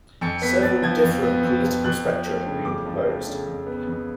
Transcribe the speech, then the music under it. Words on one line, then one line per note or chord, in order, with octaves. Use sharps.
Several different political spectra have been proposed.
F2 C#7
B3 B6
F2 A6
F3 G#6
F2
B3
F2
F3
F2 F#6
F3
A3
C#3
F2 D6
F3
A3
C#3
F2
B3
F2